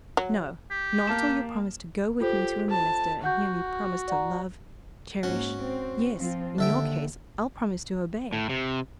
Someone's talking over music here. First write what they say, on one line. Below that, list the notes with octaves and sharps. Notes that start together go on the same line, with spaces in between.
"No, not till you promise to go with me to a minister and hear me promise to love, cherish--yes, in your case I'll promise to obey."
F#3
G4
A#3 A5 E7
F4 G4 A4 C5
A5
F#4 F#5 G6
D5 F#5 A#5
G#2 A#3 C#4 F#4
C4
F3 C4 F4
D#2 D3 E5 G5
A2
C3